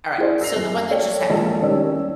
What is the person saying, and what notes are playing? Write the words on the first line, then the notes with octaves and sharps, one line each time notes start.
Alright, so the one that just happened.
E4 G#4 C5 D5
E6 A#6 C7 F7
F#2
A4 C#5 D5 G5
A#1 G#3 A#3 A4 A5
C2 D#3 C#4 G4 D5 E6